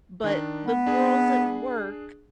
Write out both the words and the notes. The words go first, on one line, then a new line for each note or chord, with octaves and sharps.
But the girls at work
D#3 D4
B3
D4 G#4